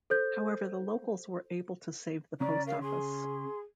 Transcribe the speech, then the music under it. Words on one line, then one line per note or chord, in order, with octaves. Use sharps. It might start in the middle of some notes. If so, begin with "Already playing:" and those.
However the locals were able to save the post office.
A4 C5 G6
C#3 C#4 D5 A#5
A#4 F5
G#4 C6